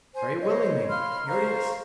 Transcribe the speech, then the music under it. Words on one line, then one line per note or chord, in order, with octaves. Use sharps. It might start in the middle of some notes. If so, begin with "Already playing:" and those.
"Very willingly; here it is."
C5 G#5
C5 C#5 D#5
F5 B5 C6 F6
C5 F5 A#5 C#6